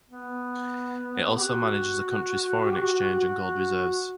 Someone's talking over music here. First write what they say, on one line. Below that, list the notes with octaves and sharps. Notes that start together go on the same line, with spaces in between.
It also manages the country's foreign exchange and gold reserves.
B3
G4
F#4
G4
F#4
F#4
F#4